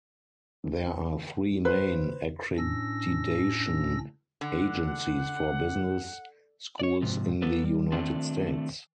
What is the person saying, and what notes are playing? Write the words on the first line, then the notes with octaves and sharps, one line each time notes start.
There are three main accreditation agencies for business schools in the United States.
B4 C5
A2 C#4 D4 E6 A#6
D3 F#5
C#5 D5
G#2 C3 F3
B3 A4 B4
G3
D#3 A3 C4 D4 F4